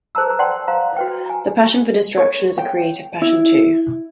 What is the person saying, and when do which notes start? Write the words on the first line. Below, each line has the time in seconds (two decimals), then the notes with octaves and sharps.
The passion for destruction is a creative passion, too!
0.15 G#4 C5 A5 A#5 E6
0.27 B4 A#5
0.39 D5 F#5 G5 A5 C6
0.68 C5 F5 A#5
0.97 F#4 B4 G5
1.26 G#5 A#5
2.17 C#5
2.58 G5
3.22 E4